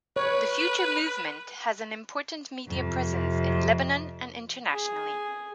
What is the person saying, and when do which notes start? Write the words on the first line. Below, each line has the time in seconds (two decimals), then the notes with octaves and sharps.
The future Movement has an important media presence in Lebanon and internationally.
0.16 B4 C#5
2.68 F2 C3
4.72 G#4